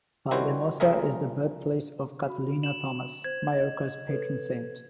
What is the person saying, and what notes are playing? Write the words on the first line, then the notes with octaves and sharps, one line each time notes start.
Valldemossa is the birthplace of Catalina Thomas, Mallorca's patron saint.
D#3 G3 C#4 E4 F#4 C5
C2 F3 G3 G#4 A#4 E5
F#4 B5
E7 F#7
C5 G#6
D#5
A4 B4 C#5